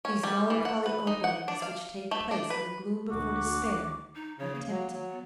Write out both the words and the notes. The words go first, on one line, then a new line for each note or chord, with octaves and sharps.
These melancholy openings which take place in the gloom before despair, are tempting.
C#4
G3
E3
F#5
B4
D#4
F#5
D4
F5
A3
D4
B4
D2 F#4 D6
D#4
C#3 C#5
A#3
F#3
F#3
B3